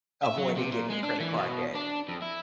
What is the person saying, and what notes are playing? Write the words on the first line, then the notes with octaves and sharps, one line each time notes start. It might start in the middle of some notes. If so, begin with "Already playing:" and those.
avoiding getting in credit card debt.
E5
F#3
C3
A#2
G#3
D4
E3
B2
D4
F2
E4